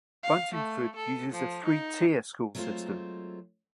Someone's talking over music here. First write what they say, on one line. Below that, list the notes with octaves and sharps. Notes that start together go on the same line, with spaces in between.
Buntingford uses a three-tier school system.
F5
A3
A4
F3
D#4
F#3 G#3 A3 C4 F4 C5